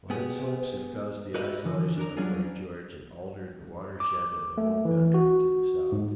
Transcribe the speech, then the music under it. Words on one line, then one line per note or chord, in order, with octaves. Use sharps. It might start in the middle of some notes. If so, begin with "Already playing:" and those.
Landslips have caused the isolation of Lake George and altered the watershed of the whole country to the south.
B3 G4 G#4
F#4 G4 A#4 B4 D#5 E5
D3 E3 F3
D4 A#4 A#5
F#3 G3 C#4 D4 F4 G#4
D6
A3
E3
F#4
G#2